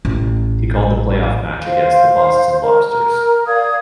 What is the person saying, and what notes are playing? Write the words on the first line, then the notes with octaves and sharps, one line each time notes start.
He called the playoff match against the Boston Lobsters.
A1
C5 F5
A#4
D5 F5 D#6 G#6